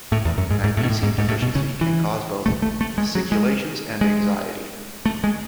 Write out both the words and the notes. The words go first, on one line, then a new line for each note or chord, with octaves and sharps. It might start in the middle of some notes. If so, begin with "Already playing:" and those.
Magnesium deficiency can cause both fasciculations and anxiety.
A2
E2
F#2
G#2
G#2
A2
B2
A2
G#2
G#2
A2
B2
C#3
E3
A3
A3
A3
G#3
F#3
G#3
G#3
A3
G#3